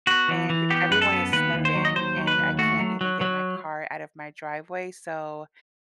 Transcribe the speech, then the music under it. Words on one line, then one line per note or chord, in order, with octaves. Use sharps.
and everyone is snowed in, and I can't even get my car out of my driveway, so,
B3 F#4
E3
E3
B3 G4
F#2 B4
A4
B3
D#2 B4
D#2
C5
F#3
D#5
D#2 C5
F#3
B4
D#2
A3 F#4
F#3
F#3
F#3